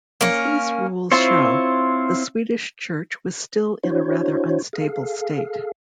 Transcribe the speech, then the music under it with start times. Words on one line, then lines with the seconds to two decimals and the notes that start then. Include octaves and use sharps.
As these rules show, the Swedish Church was still in a rather unstable state.
0.21 A#3 C#4
1.12 C4 E4 F4 C5 C#5
3.83 D4 E4 F#4 C5 C#5
4.73 G#4 A4 F5